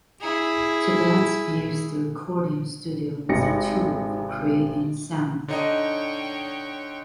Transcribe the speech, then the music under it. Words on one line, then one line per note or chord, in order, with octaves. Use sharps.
Tibbetts views the recording studio as a tool for creating sounds.
E4 G#4
G#1 C3 A#6 C#7
D3 D#4 C#5 D#5 G5